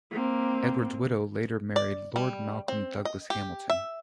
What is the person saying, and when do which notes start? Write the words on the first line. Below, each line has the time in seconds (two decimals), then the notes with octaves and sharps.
Edward's widow later married Lord Malcolm Douglas-Hamilton.
0.11 A#3 C4
1.76 D5
2.16 G3
2.68 C4
3.05 D#5
3.30 G4
3.70 E5